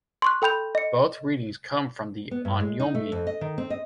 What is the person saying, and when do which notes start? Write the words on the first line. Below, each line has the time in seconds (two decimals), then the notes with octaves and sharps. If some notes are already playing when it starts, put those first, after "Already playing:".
Both readings come from the on'yomi.
0.22 C6 C#6 F#6
0.42 A4 G5 B5 G6 F7
0.75 D#5 C#7
2.31 B3
2.45 G2
2.60 G#3
2.80 D#4
2.95 A3
3.12 F2
3.27 D#5
3.41 D#3
3.58 C4
3.70 D#5